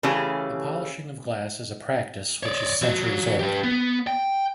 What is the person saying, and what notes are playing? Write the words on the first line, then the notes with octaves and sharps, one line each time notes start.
The polishing of glass is a practice, which is centuries old.
C#3 E3 A3 C#4 G4 G#4
C#5 D5
F3 F#4
G4 B4
B3
G5